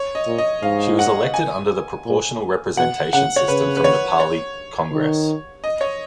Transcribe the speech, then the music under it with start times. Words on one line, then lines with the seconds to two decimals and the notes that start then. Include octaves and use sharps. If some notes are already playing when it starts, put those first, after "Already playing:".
She was elected under the proportional representation system from Nepali Congress.
Already playing: C#5
0.15 D#5
0.27 A#2
0.38 D#5
0.62 G#2 F5
0.99 F#5
1.34 G#5
2.05 A#2
2.77 B2 F#5
3.13 C#3 F#5
3.36 C#5
3.48 C#3 B4
3.77 B4
3.84 C#5
4.20 C#5
4.92 D#3
5.64 D#5
5.81 C#5